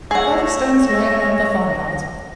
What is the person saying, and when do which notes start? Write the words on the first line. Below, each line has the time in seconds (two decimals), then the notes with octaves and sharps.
Further stones lie around the farmyard.
0.11 A3 G#4 C#5 F#5 A#6